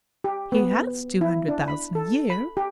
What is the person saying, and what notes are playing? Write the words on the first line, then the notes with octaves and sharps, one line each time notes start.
He has two hundred thousand a year.
G4
B3
E4
D4
B5
A4
B5
G4